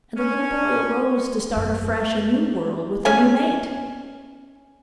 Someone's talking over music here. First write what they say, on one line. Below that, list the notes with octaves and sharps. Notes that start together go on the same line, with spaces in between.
And the little boy arose to start afresh a new world with a new mate.
C#4
F#2
C#4 G#5